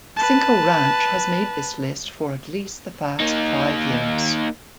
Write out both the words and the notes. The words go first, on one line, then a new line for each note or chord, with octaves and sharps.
Cinco Ranch has made this list for at least the past five years.
B4 A5
A#3 D#4